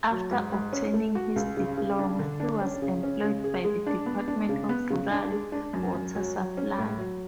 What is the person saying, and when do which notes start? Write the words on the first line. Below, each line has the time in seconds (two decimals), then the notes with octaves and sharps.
After obtaining his diploma he was employed by the Department of Rural Water Supply.
0.11 F#3
0.31 G#2
0.53 G#2
0.73 C#4
0.94 A3
1.15 F#4
1.36 C#2
1.57 C#3
1.77 C#3
1.99 D4
2.19 D3
2.40 D4
2.61 C#4
2.82 C#3
3.03 C#4
3.24 C#3
3.44 G#4
3.64 G#3
3.87 D4
4.06 B3
4.28 D4
4.49 C#3
4.69 B3
4.90 C#3
5.11 D4
5.32 G#3
5.52 D4
5.73 F#2
5.95 F#2
6.15 F#3
6.36 F#3
6.57 C#4
6.78 A2
6.98 F#3